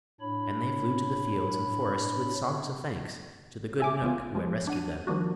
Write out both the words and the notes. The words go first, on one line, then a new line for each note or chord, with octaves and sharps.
And they flew to the fields and forests with songs of thanks to the good knook who had rescued them.
A2 D4 C#5 B5
E5 G#5 D6
A1 B3 F4
F3 G#3
D4 F#5 D#7
D#3 F3 G3 A#3 D4 F#4